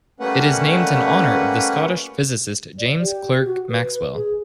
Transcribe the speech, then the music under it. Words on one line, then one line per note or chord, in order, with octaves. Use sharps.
It is named in honour of the Scottish physicist James Clerk Maxwell.
G3 A3 A#3 C#4 B4 F#5
D5
G4
F#4
B4
G#4